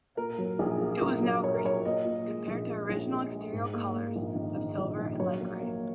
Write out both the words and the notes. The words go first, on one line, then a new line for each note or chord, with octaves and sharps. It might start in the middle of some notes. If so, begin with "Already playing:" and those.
It was now green, compared to original exterior colours of silver and light grey.
A#2 A#4
F#3
A#1 G#4
A#3
A#1 A#4
F#3
A#2 C#5
A#4
F#3 C#5
A#2 D#5
A#2
G#3
A#1
G#3
A#1
G#3
G#3
G#2
A#3
A#3
A#1
D#3
D#3
A#1
A#1
F#3 C#5
A#3
A#3